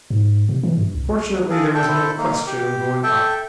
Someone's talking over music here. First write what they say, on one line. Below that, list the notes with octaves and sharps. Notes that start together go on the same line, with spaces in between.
But fortunately there was no question of going up.
G#2
C3
E3
G2
C2
G#4 A4 F5
D4 A4 E5 G5
E4 A4 C5
A#3 D#4
G4
A4 E5 G5